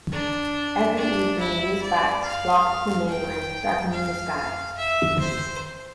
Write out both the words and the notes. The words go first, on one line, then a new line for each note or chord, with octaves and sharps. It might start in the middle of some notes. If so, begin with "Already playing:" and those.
Every evening, these bats flock to the mainland, darkening the skies.
D4
D4
E4
D5
F5
G5
F5
E5
C5